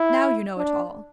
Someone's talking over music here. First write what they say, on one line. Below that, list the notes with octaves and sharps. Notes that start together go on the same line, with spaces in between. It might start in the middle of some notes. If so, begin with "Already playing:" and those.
Now you know it all.
Already playing: E4
D4